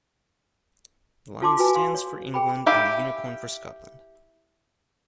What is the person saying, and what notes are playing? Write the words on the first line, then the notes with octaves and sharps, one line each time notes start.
The lion stands for England and the unicorn for Scotland.
F4 A5 C6 D6
F4 F#4 B4 G#5
F5 C6
C#5
G#4 G5 B5
E4 G4 F5 G#5